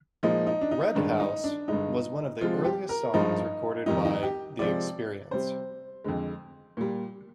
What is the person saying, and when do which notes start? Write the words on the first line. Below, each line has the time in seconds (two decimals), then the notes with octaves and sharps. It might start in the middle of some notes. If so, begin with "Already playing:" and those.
"Red House" was one of the earliest songs recorded by the Experience.
0.23 A#2 F3 G#3 D#4
0.46 D#4
0.61 D4
0.71 D#4
0.95 G2 D#3 G#3 D4
1.20 D#4
1.44 D4
1.68 G2 D3 G#3 D#4
2.41 C3 F3 G#3 F4
2.65 G4
2.89 A#4
3.14 G2 F3 G#3 D#4
3.86 F2 D#3 G3 D#4
4.05 D#4
4.23 G4
4.59 C3 F3 G#3 D5
5.31 C3 G3 C5
6.04 F2 D3 G#3
6.77 A#2 G3